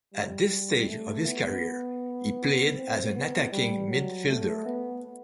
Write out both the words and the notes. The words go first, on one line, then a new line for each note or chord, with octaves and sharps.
At this stage of his career, he played as an attacking midfielder.
G3
A3
B3
C4
B3
G3
F#3
A3
B3